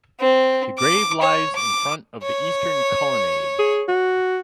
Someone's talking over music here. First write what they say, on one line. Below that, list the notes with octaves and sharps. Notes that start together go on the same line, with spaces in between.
The grave lies in front of the eastern colonnade.
C4
D6
C#5
D6
C#5
G#4
F#4